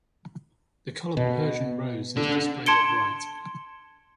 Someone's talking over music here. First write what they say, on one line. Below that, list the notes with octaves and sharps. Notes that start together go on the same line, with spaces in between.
The color Persian rose is displayed at right.
B2
D4 A4
A5 C6 G#6 C#7 D7 G7